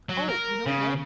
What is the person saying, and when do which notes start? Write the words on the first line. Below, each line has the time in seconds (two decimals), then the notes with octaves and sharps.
Oh, you know what?
0.09 F#3
0.28 A#4
0.66 C#3